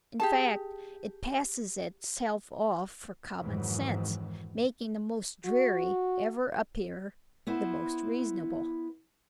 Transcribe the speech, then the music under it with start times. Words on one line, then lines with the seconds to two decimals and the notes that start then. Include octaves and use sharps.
In fact, it passes itself off for common sense, making the most dreary ever appear the most reasonable.
0.20 G4 G#4 A5
3.41 F2 G#2 D#3 E3 F#3
5.45 F#4
7.47 B3 E4 C5